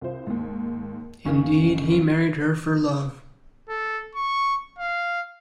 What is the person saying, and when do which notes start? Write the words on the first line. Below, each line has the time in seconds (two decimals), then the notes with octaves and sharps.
Indeed, he married her for love.
0.01 C2 F4 C5
0.27 D#2 G#2
1.25 F#1 D#3 C#4 F5 C#6
3.69 A4
4.15 C#6
4.79 F5